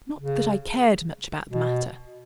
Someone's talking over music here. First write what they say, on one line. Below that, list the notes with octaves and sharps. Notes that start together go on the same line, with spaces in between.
Not that I cared much about the matter.
C#3
B2